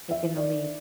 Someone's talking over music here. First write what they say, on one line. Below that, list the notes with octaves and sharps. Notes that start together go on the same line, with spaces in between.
taking the leap.
E5
D5